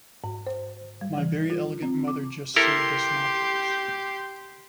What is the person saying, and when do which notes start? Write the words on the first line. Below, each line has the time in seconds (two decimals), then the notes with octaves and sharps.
My very elegant mother just served us nachos.
0.24 G#2
0.46 C5
1.01 G3
1.18 E3
1.50 F4
1.83 C4
2.08 D6
2.56 E4 G4 A4 A#4 C6